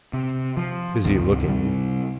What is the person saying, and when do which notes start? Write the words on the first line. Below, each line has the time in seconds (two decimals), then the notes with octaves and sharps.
Busy looking.
0.13 C3
0.57 F3
1.04 C#2 G2 C3 D#3
1.48 C3 G3